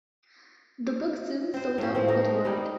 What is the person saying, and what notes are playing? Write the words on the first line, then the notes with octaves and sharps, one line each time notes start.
The book soon sold out worldwide.
C4 C5
A2 C#4
F3 C4
D#4 A#4
G3 D#4